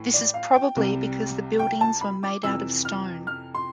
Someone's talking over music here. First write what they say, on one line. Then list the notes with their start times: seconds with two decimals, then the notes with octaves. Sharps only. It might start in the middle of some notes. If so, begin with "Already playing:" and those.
This is probably because the buildings were made out of stone.
Already playing: A2 E3
0.14 D5
0.34 F5
0.55 G5
0.76 C2 C3 G3
1.59 G5
1.81 A5
2.01 B5
2.23 D6
2.43 F2 C3 E3 E6
2.85 F6
3.27 F6
3.55 C6